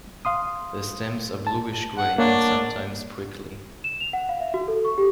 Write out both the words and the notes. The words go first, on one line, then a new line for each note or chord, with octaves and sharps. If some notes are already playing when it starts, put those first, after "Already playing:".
The stems are bluish-grey and sometimes prickly.
F5 C6 D#6
A5
F#5
A#3 D4 C#5 F#5
E7
F7
F#5
F5
E5
F#4
A4
C#6
G4